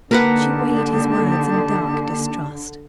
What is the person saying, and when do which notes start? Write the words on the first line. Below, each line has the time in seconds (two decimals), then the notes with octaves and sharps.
She weighed his words in dark distrust.
0.11 D3 A#3 D#4 G4 A#4 B4 F#5 A5